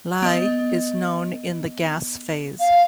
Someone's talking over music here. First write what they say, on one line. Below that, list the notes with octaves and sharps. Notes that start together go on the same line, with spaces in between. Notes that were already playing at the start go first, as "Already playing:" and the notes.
Li is known in the gas phase.
B3 D#5
F5